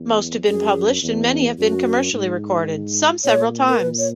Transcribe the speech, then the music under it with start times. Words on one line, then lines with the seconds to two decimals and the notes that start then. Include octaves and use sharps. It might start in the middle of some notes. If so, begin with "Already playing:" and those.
Most have been published and many have been commercially recorded, some several times.
Already playing: E2
0.47 F#2 G#4
1.02 E2
1.58 F#2 F#4
2.13 G#2
3.24 A#2 C#5
3.68 A#4
3.80 A#2 B4
3.99 C#5